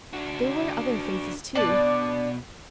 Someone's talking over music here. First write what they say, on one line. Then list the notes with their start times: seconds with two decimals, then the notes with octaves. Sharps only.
There were other phases, too.
0.13 D4 F#4
1.55 B2 D4 D5 A5